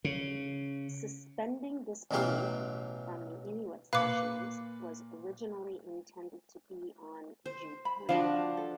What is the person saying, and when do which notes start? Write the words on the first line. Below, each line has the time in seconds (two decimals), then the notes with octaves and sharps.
"Suspending Disbelief", from "The Inuit Sessions", was originally intended to be on "Juturna".
0.04 C#3
2.11 A1 B2 E3 F#3 G4 F5
3.93 A#2 B4 F5 D6 C#7
7.46 C5
7.85 B5
8.09 F3 D4 F#4 F5
8.57 A4